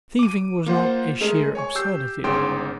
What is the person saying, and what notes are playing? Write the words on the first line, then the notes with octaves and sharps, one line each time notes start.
Thieving was not a sheer absurdity.
D6 D#7
A#3 F4 C5 F#5
G#3 A3 G#4 A#4 D#5
C#5 G#5 C#6
G4 E6 G6 C7
G1 G#2 C#3 G5 C6 D7